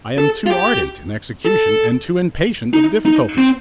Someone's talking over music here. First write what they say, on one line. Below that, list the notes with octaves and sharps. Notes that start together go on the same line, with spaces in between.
I am too ardent in execution and too impatient of difficulties.
A4
F4
G4
A4
D#4
D#4
C4